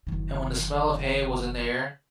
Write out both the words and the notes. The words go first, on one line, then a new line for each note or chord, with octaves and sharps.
And when the smell of hay was in the air!
F#1 D#3